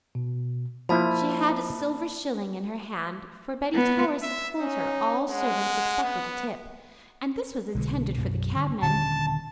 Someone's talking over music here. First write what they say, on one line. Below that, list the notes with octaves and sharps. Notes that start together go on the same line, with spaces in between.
She had a silver shilling in her hand, for Betty Towers had told her all servants expected a tip, and this was intended for the cabman.
B2
F3 A#3 E4 A5 B5
B3
E5
C#4 D#4
G#3 F#5
B3
B1 D3 G#3
B1 F#2
G2 D3
D#1 D3 C#4 A5